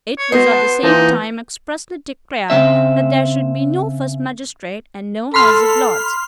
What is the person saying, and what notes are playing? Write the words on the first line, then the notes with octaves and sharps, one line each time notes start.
It was at the same time expressly declared that there should be no first magistrate, and no House of Lords.
C#5
B3 F#4 C5 D#5
F#5 A5
E3 A#3 D#4 F4 C5 A5
C#3 C4 E5
A4 B5 C6 F6